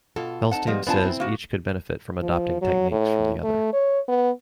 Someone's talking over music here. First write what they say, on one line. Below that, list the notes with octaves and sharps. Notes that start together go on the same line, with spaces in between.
Felstein says each could benefit from adopting techniques from the other.
B2 F4 A4
C4 D#4 F#5 A5
F3 G3 B3 D#5
B3 C4 D4 F4 G#5 A5
C4 E4
A#3 F#4
F3
F#3
A2
A3
C#5
B3